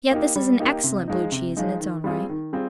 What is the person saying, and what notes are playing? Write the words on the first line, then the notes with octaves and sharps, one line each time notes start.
Yet this is an excellent, Blue cheese in its own right.
A#3 D#4 G4
G3
A#3 D#4 G4
C3
F3 G#3 D#4
C3
F3 G#3 D#4
D#3
G3 C4 F4 G#4
D#3
G3 C4 F4 G#4